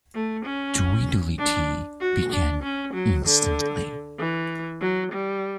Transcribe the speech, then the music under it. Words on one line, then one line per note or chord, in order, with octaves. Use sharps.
Tweedledee began instantly.
A3
C#4
D4
F#4
D4
C#4
F#3
D3
E3
F#3
G3